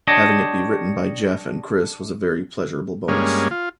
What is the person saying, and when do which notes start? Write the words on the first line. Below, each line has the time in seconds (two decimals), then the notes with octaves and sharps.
Having it be written by Geoff and Kris was a very pleasurable bonus.
0.07 D4 G4 C#5 D#5
3.08 G2 G#3 A#3 C#4
3.51 F4